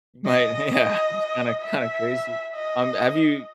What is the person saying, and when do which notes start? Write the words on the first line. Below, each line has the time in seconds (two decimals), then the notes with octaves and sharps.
you might Yeah. It's kinda kinda crazy. Um, have you
0.26 D#5
0.72 D#5
1.63 E5
2.55 D#5